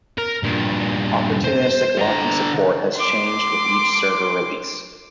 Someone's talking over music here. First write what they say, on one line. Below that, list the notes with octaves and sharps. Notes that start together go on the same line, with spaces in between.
Opportunistic locking support has changed with each server release.
A#4
G2 A#2
C5
D3 A#5
C6 D6